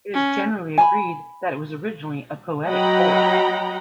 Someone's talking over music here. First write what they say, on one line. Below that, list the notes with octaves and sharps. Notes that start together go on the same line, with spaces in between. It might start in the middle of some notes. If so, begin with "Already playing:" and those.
It is generally agreed that it was originally a poetic whole.
C#4
G#5 A5 B5
F#3 D#5 F#5 G5 A#5 B5